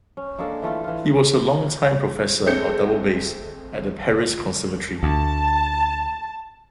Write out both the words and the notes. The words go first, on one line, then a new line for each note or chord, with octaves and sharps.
He was a longtime professor of double bass at the Paris Conservatory.
C#4
G#3 A#3 D4 A4
E3 A3 F4 A4
E3 F4
G#3 A3 C4 G6 C#7
D2 A5